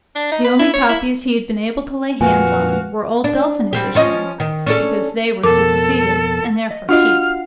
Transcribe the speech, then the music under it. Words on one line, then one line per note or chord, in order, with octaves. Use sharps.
The only copies he had been able to lay hands on were old Delphin editions, because they were superseded, and therefore cheap.
D4
D#4
B4
E4
C#5
E4
F2 A#2 F#4 B4 F5 G#5
D4
G3 C4 G4
F3 C#4 D#5
D#3
C#4 D4 A4
F2 B2 A4 A#4 D6
D#5
D4 F4 F#4 D#5 F5 F#5 F6